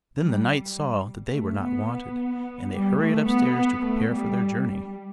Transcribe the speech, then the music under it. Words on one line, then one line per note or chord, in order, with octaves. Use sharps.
Then the knights saw that they were not wanted, and they hurried upstairs to prepare for their journey.
G3
A3
B3
B3
G3
A3
B3
B3
A3
G3
G3